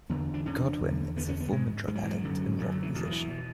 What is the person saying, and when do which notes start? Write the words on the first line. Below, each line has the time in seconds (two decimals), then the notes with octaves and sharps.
Godwin is a former drug addict and rock musician.
0.10 E2 D3 B3
0.34 D4
0.45 E2 D3 C#4
0.81 E2 D3
1.16 D3 B3
1.21 E2
1.29 C#4
1.40 B3
1.52 G#2 G#3
1.88 G#2 G#3
1.95 F#3
2.03 E3
2.10 F#3
2.23 F#2 D3
2.59 F#2 D3 F#3
2.71 F#3
2.82 E3
2.95 E2 B2 D3
3.06 F#3
3.12 E3
3.30 B2